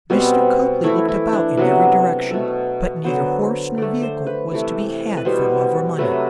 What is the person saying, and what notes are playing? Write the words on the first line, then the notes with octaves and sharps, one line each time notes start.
Mr. Copley looked about in every direction, but neither horse nor vehicle was to be had for love or money.
B2 G3 B3 C4
E3 A3 E4
E4
D4
C3 F#3 B3 B4
B2 A3 A4
D3 F#3 B3 C5
D3 A3 D5
C5
B4
C3 E3 A3
B4
B2 G3 B3 C5
C3 F#3 A3 B4